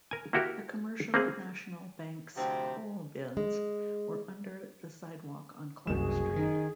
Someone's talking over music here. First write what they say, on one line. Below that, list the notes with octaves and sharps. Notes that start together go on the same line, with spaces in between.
The Commercial National Bank's coal bins were under the sidewalk on Clark Street.
A#4 G#5
A#3 E4 F#4 G4 A#4
A#3 C4 G#4
D2 C3 F3 C4
G#3
F#1 C2 G3 F#4 G#4 E7
D#3 D#4